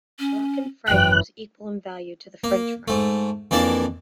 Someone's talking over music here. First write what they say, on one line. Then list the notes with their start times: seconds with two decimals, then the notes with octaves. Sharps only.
The Moroccan franc was equal in value to the French franc.
0.19 C#4
0.88 G#1 F#2 E3 G5 F#6
2.44 A#3
2.88 G#2 A3
3.51 F2 E3 A#3 D4 A5